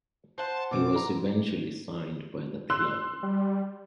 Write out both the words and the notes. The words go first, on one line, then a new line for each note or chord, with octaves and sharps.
He was eventually signed by the club.
C5 F#5 A5
B2 E3 D6
A#5
C6 E6 F#6
G3